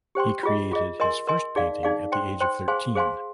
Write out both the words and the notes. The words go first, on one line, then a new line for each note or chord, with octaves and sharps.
He created his first painting at the age of thirteen.
G4 C5 G5 C6
F4 G#4 D#5
F4 G#4 D#5
A#4 D#5 G#5 C6
A#4 D#5 G#5 C6
D#4 G#4 D5 F5
D#4 G#4 D5 F5
C5 G5 C6
C5 G5 C6
G#4 C5 F5 G#5 C6
G#4 C5 F5 G#5 C6